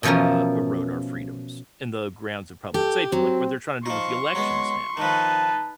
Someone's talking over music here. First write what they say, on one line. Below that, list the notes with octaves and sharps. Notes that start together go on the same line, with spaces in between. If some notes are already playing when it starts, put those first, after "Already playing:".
uh, erode our freedoms in the grounds of public safety, like what they're trying to do with the elections now.
B2 E3 F3 C#4 A#4
G4 A4
F#3 C4
F3 D#4 C6 C#6
F#3 G#3 B3
D#3 F3 D#4 B4 A5